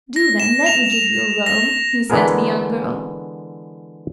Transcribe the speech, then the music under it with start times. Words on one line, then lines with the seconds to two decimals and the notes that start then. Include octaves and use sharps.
"Do, then, let me give you a row," he said to the young girl.
0.16 A#6
0.40 E7
0.66 F7
0.92 F7
1.46 A#6
2.10 D3 E3 G#3 B3 G#4 A#4